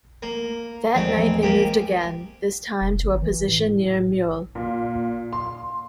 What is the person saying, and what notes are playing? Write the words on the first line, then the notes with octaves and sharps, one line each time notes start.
That night they moved again, this time to a position near Meulles.
A#3
A#1 E2 G#2 A3 C4 G5
G#3 A#3 G4
F1
G#1
E3
A2
A#2
C6